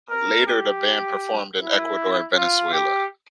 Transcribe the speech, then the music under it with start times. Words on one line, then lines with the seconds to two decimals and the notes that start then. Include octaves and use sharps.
Later, the band performed in Ecuador and Venezuela.
0.10 A#4
0.47 G4
1.60 E4
2.34 F4
2.73 G4